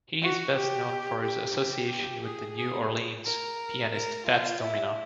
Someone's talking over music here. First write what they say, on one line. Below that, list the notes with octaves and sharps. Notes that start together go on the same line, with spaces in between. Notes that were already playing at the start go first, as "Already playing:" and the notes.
He is best known for his association with the New Orleans pianist Fats Domino.
F#4
G4
G4
G#4
G#4
A#4
A#4
F4
E4